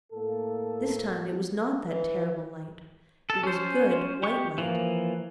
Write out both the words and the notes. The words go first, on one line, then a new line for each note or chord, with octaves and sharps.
This time it was not that terrible light; it was good, white light.
A2 A#3 A4
E3
A4
C#4 C5
G4 C#6
E3 F3 A#3